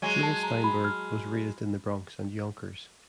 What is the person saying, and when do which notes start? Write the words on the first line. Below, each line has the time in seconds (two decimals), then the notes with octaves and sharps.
Joel Steinberg was raised in the Bronx and Yonkers.
0.02 F#3 G#3 G#5
0.23 A5
0.43 A#5
0.64 B5
0.84 F6